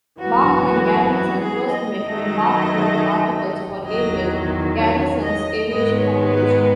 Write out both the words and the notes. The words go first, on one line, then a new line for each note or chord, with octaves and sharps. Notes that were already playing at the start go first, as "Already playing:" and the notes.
Bach and Garrison first met when Bach wrote articles for "Avian", Garrison's aviation publication.
F#2 E3 B3 F#4
F#4
F#4
G#4
D#5
F#2 D#3 F#3 A3
E2 D#3 F#3 D#5
C#5
D#5
G#2 D#3 G#3 B3 D#5
C#5
B4